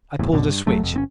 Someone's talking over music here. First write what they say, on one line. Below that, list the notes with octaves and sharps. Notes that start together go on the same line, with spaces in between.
I pulled a switch.
F#1 E2 A2
B1 F#2 B2 D3
G2
F1 F#3 A3
F1 F2
G1 C4 C#4